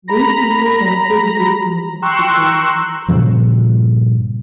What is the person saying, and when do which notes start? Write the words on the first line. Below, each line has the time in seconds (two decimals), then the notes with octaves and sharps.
These issues are still being investigated.
0.08 A#5 B5 A#6
2.02 G5 A#5 C6 C#6 E6 F#6
3.08 G2 A#2 C#3 F3